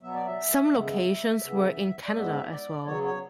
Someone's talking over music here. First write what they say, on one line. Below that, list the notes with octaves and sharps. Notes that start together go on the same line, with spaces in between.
Some locations were in Canada as well.
B2 F#3 B3 E5
D5
E5
C#3 G#3 B3
C#3 E3 B3
D5
G#2 G#3 B3 E5
D5
C#3 F#3 B3 C#5
C#5